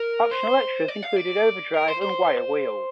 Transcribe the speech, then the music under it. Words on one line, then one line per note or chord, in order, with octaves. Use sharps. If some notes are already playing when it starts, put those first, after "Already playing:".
Optional extras included overdrive and wire wheels.
Already playing: A#4
C5
D5
F5
D5
A#4
C5
C5